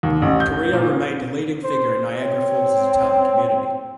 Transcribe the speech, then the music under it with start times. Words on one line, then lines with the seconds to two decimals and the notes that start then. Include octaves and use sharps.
Kerrio remained a leading figure in Niagara Falls's Italian community.
0.03 D#2
0.22 A1
0.40 G6
0.73 A#2
1.64 C5
2.21 C4 C#5